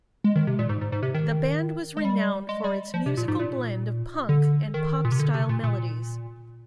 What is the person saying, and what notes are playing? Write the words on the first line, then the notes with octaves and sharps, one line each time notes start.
The band was renowned for its musical blend of punk and pop-style melodies.
G#3
D#3
C3
A#2
G#2
G#2
G#2
C3
D#3
G#3
G3
G#3
G3
F3
C3
A#2
G#2
A#2
D3
D#3
A#2
C3
D3
C3
A#2
A#2